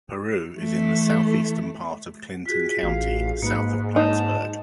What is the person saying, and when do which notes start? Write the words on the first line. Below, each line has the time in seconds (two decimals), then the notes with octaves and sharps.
Peru is in the southeastern part of Clinton County, south of Plattsburgh.
0.55 E3 A3
2.46 F4 F#4 G#4 B6
2.83 A1 F5
3.42 G#2 A#3 B4
3.96 D#4 A5